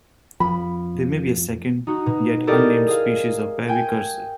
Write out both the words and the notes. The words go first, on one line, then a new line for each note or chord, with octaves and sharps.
There may be a second, yet-unnamed, species of "Parvicursor".
F2 F3 B5
D#4 F#4
B2
E4 G4 A4 A#4 D5 D#5
G#4 F5
G5 G#5 G#6